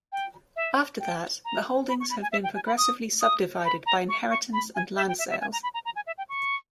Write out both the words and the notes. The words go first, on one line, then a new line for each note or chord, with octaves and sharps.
After that, the holdings have been progressively subdivided by inheritance and land sales.
G5
E5
G5
A#5
B5
C#6
B5
G#5
E5
G5
G#5
B5
D#6
D#6
B5
A#5
C#6
C#6
B5
G#5
E5
G5
E5
E5
G#5
A#5
B5
A#5
A#5
G#5
E5
G5
C#6